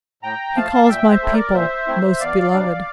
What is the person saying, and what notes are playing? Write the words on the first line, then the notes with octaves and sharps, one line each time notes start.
"He calls my people 'most beloved'."
A2 G5 A#5
F3 A3 F5 A5
A#2 E5 G5
C5 E5
A3 C4 E4
A#4 D5
A#2 C5 E5
A3 C4 E4
E2 D5 F5
C3 G3 D4